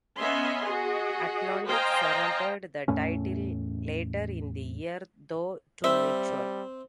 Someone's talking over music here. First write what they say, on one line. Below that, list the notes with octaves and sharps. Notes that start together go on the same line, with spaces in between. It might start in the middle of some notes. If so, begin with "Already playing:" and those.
Atlantic surrendered the title later in the year, though, to Mutual.
B3 C#4 D#5 E5 G#5 C6
F#4 G#4 D#5
C5 D#5 F5 G5 G#5 A#5
E2 A2 A3 C#4
G3 C4 E5